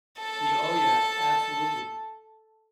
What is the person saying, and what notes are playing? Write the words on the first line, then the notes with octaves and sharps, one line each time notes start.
Y oh, yeah, absolutely,
A4 A5